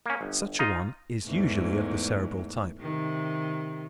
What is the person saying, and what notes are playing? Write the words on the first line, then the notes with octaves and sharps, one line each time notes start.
Such a one is usually of the Cerebral type.
A#3 C#4
G1
D#4 F4 D#5
E2 G#2 A3
C3 D#3